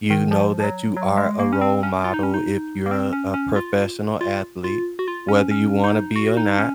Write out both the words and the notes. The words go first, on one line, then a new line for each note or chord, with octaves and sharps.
you know that you are a role model if you're a a professional athlete, whether you wanna be or not.
D#3
F3
F3
F#3
F#3
G#3
A#3
C#4
C4
C#4
F4
D#4
C#4
D#4
A#3
C4
C#4
C#4
F4
F4
F4
F#4
F4
C#4
C#4
D#4
F#4
D#4
C#4